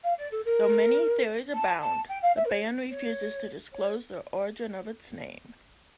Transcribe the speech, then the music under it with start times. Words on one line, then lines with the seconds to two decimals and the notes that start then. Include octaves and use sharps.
Though many theories abound, the band refuses to disclose the origin of its name.
0.04 F5
0.18 D5
0.31 A4
0.45 A#4
1.53 A5
1.81 A5
2.08 G5
2.22 F5
2.36 E5
2.45 A#4
2.49 C#5
2.90 C#5
3.72 C#5